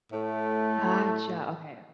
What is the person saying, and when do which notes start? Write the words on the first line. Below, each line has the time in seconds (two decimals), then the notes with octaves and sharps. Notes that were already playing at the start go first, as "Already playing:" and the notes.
Gotcha. Okay.
0.12 A2 A3